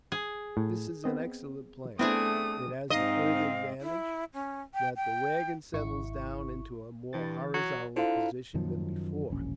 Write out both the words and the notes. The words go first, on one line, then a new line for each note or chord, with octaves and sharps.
This is an excellent plan; it has the further advantage that the wagon settles down into a more horizontal position than before.
G#4
A2
B3 C4 D#5
A3 B3 C4 D4 E4 G#4 D#6
G#2 C4 D#4 D#5 F5
E4
C#4
G5
G5
G#1 E4 C#6
G2 E3 A6
F#3
D3 E4 F4 C5 F5
F#2 D#3 F3 F#3
E1 A#1 C#4